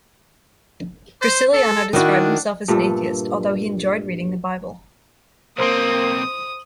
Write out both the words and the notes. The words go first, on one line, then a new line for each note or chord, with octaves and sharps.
Graciliano described himself as an atheist, although he enjoyed reading the Bible.
C5
A4
D#3 D4 E4 F#4
G2 A#2 A3
B1 A#3 C4 C5 C6 D#6 D7